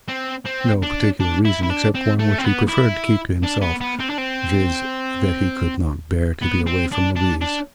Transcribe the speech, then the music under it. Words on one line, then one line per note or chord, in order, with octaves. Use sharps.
No particular reason except one which he preferred to keep to himself--viz. that he could not bear to be away from Louise.
C4
C4
D4
D4
E4
E4
D4
C4
A3
C4
B3
E4
D4
B3
B3
C4
D4
C4
B3
C4
D4
D4
D4